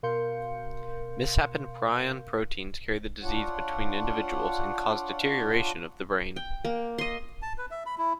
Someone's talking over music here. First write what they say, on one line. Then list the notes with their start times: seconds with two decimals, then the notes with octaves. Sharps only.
Misshapen prion proteins carry the disease between individuals and cause deterioration of the brain.
0.03 B2 A#4 F5 C6 G6 C#7
3.23 D4 F4 C#5 F#5
6.36 G5
6.65 A#3
6.98 D#5 C6
7.42 A5
7.58 B4
7.71 E5
7.86 B5
7.98 E4